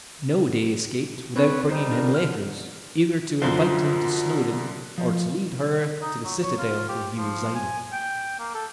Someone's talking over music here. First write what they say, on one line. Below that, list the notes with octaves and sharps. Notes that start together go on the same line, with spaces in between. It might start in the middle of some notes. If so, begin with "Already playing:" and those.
No day escaped without bringing him letters, either to invite him to Snawdoun or to lead her to the citadel, where he resided.
C4 D4 B4 C#5
G3 D#4 C5
D4 F4 A#4
D3 F6
F#2 D3 F4 C5
F3
D#4
F#3
C#5
F4
G4
F3
G#5
G5
A#3
A4